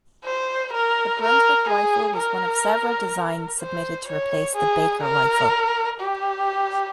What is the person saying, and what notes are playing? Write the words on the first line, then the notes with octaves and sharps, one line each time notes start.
The Brunswick rifle was one of several designs submitted to replace the Baker rifle.
C5
A#4
A#4
G#4
A#4
C5
C#5
G#4
A#4
G4